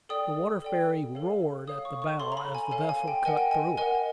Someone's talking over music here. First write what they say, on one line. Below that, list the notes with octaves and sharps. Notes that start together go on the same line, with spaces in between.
The water fairly roared at the bow as the vessel cut through it.
A4 D5 G5 D#6
A4 D5 G5
A4 C#5 F5
A4 C#5 F5 D#6
C#6
C#6
A4 C#5 F5 C6
A#5
B5
G#5
A4 C#5 F5 G#5
G#5
G5
A#4 D#5 F#5 G#5
G5
G#5
A#4 D#5 F#5 G#5